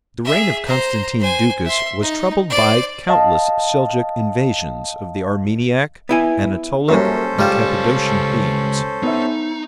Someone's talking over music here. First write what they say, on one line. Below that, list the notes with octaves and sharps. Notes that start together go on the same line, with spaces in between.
The reign of Constantine Ducas was troubled by countless Seljouk invasions of the Armeniac, Anatolic, and Cappadocian themes.
G#4 E5
C5 A#5
C5 G#5
E5 C6
D#4
C5 D5
D#5 F5 A5
B3 E4 G#5
F#2 G3 A#3 C#4 A4 A#4 C5
C#2 G3 G#3 F4 G5 A5
B3 D#4 B4 E5